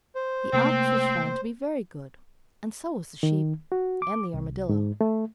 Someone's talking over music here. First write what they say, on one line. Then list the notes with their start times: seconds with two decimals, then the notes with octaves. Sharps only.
The ox was found to be very good, and so was the sheep, and the armadillo.
0.15 C5
0.53 C3 A3 A#3 C4
3.23 D#3
3.72 F#4
4.02 D6
4.34 C2
4.69 G#2
5.01 A3